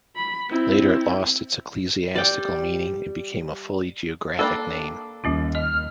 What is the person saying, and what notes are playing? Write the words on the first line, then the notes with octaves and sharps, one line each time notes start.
Later it lost its ecclesiastical meaning and became a fully geographic name.
B5
C4 E4
G3 D5 G5
A#3 D4 A4 G5 B5
D#2 G3 C#4 F4
D#5 F6